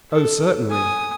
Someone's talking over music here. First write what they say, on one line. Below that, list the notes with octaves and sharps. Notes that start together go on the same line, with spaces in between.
"Oh, certainly."
A4
G#5 D#6